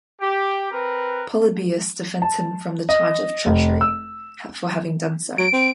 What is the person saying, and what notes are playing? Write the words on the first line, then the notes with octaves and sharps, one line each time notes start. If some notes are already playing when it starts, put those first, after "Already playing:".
Polybius defends him from the charge of treachery for having done so.
G4
C4 A#4 B4
A5
D#5
F1
E6
F#3 D7
C4